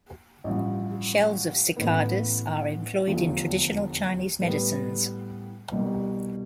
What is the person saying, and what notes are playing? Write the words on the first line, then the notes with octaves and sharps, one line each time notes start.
Shells of cicadas are employed in traditional Chinese medicines.
A1 G2 F3
A1 A2 E3 B3
F1 E2 D3 F3 A3
A2 G3 B3
C2 B2 G3